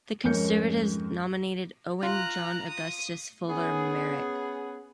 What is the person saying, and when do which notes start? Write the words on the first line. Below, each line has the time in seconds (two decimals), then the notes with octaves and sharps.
The Conservatives nominated Owen John Augustus Fuller Meyrick.
0.24 F2 G#2 C#4 A#4 G6 C#7
2.03 F4 A#5 F#6
2.68 D#6
3.48 B3 C#4 G#4